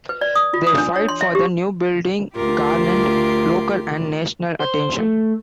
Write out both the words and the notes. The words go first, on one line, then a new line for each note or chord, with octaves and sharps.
Their fight for the new building garnered local and national attention.
B4
D5
D#6
F4
D#6
D4
C#5
C6
E5
G4
D2 F4 G4 A#4 C6 D6
C5
A3